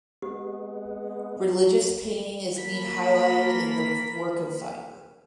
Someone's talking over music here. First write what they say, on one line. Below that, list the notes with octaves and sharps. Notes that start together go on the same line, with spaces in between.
Religious painting is being highlighted in the work of fiber.
G#3 B3 G4
A#3 A4 A#4 B5 B6